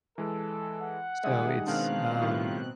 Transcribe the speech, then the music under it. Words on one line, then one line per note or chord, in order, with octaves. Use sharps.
So it's, um
E3 G#3 A4
F#5
D#3 G3 G#3 G#4 E5 D#6
B2 D#3 G#3 C4 D4 F5 F#6
A2 D#3 G3 F4